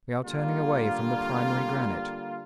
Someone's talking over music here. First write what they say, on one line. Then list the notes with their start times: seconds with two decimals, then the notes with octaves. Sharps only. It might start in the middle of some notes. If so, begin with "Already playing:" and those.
We are turning away from the primary granite.
0.24 D3 G3 A#3 F4